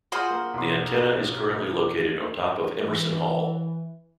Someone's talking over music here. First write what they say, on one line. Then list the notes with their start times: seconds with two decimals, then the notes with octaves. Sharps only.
The antenna is currently located on top of Emerson Hall.
0.12 F4 F#4 G#4 C5
0.30 A#3
0.54 B1 C6
2.85 E3